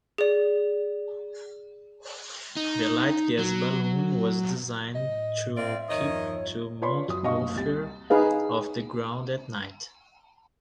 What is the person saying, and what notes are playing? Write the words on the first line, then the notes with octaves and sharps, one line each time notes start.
The light-gas balloon was designed to keep the Montgolfiere off the ground at night.
G#4 D5
D#4
F#3
A2 D#5
C4 F4 D5 E5
E2 G2 D#3 F3 C#5 D#5
F4 B4 C#5 D5 B5 C6
F#2 D#6
G2 B2 D4 D#5 F5 C#6
F#1
C2 A6
D#4 G#4 B4 F5